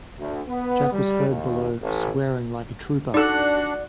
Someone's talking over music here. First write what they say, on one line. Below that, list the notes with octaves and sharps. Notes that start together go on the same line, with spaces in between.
Jack was heard below, swearing like a trooper.
D2
B3
G3
D#2
A1
D4 D#4 F#4 A4 D5 F#5